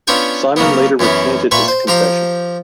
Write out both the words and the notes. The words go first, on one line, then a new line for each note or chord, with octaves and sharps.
Simon later recanted his confession.
B3 C#4 D4 F4 G5 G#5
C#3 F#3 A#3 B3
F#2 E3 B3 C#4 E4
A#2 F4 B4 E5 C#6
C5
F3 G4 A#5 C6